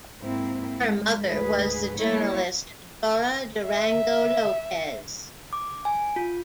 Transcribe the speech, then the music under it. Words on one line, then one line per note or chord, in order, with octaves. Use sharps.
Her mother was the journalist Dora Durango Lopez.
G#2 A#3 C4 E4
G#3
D2 G#2 G#4 B4
G3 A#3 E4 C#5
E5
D6
G#5
F4